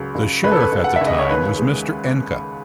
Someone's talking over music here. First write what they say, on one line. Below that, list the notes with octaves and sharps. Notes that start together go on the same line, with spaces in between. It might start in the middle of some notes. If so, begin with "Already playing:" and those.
The sheriff at the time was Mr. Enke.
Already playing: C#2 F#3
C#2
C#2 B4
A4
B4
C#2
F#5
E5
C#2
D#5
C#5
D#2 B4
G#3